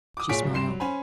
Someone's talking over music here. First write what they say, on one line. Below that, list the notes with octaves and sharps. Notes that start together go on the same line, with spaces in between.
She smiled.
D6 D#6
A#2 G#4 C#5 B6 D7
D1 C2
G2 C6 C7 E7
F#3
C#4 C5 G#5 B5